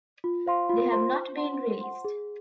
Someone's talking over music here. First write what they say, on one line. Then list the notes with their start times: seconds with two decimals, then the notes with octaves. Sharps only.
They have not been released.
0.24 F4
0.46 C5 F5 C6
0.69 F4
0.92 C5 F5 C6
1.14 C5
1.37 F#5 C6
1.59 C5
1.81 F#5 C6
2.05 G#4